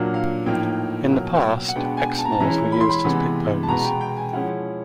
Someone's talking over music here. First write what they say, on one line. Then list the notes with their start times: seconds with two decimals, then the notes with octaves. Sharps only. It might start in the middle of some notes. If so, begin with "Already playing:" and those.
In the past, Exmoors were used as pit ponies.
Already playing: A#2 F#3 A#3 D4 F#5
0.14 F5
0.46 A2 F3 A#3 D#4 G5
1.11 B2 F#3 A#3
1.69 F#5
1.75 B2 G#3 B3 D4 G5
1.97 G#5
2.19 A5
2.25 A#5
2.32 A5
2.40 E3 G#3 C#4 E4 A#5
2.72 B5
2.81 C6
2.90 B5
3.04 C3 E3 G#3 B3
3.63 A5
3.68 B2 G#3 B3 A#5
3.85 G5
4.01 G5
4.17 G#5
4.33 F3 G#3 C#4 E4 F#5